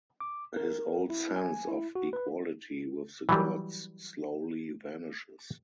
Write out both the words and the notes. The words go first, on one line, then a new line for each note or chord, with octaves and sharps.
His old sense of equality with the gods slowly vanishes.
D6
A#4
E4
G#5
E4
F#4
B4
E3 F#3 G3